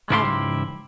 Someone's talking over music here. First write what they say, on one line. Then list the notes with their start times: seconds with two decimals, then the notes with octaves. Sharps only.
I don't know.
0.10 C#2 G#2 E4 G4 F5 C6